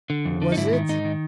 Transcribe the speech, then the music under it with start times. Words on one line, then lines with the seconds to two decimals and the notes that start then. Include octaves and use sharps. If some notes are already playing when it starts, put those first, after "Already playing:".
"Was it?"
0.10 D3
0.25 F2
0.42 D3
0.52 D#4
0.57 G#2 E4
0.73 D#3
0.89 G#2 D#4
1.05 D#3